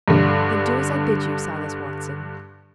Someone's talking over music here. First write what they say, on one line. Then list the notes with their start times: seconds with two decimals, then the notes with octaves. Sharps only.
"Then do as I bid you, Silas Watson."
0.08 G2 D3